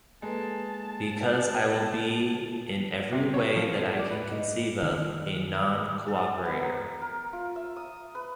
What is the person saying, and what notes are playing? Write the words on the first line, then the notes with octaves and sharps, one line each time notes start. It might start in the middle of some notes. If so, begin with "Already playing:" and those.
Because I will be, in every way that I can conceive of, a non-cooperator.
G#3 A#3 A4 B4 A5
C3
C#5
F3
D5
B4
D#4
D#3
A4
B3
A#5
A#4
F4
E5
D#6
B4